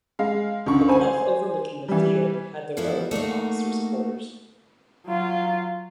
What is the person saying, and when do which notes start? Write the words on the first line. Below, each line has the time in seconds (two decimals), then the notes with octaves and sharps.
The bluff overlooking the field had the row of officer's quarters.
0.19 G#3 F5
0.66 C#2 D3 C#6
0.88 C5 G#5
1.88 E3 G3
2.77 E3 F3 A#3 B3 E4
3.11 A3 A#3 D#4 F#4
5.05 F#3 F4